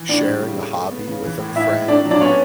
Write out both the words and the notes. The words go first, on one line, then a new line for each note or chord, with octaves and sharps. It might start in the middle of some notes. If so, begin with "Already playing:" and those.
sharing a hobby with a friend
Already playing: E3
A2 D4 D5
G3
C#3
A3
A3
B3
C#3
E3
A2
A2 E4 E5
A2
A3 D4 D5
F#3
D4 D5
B3 C#4 C#5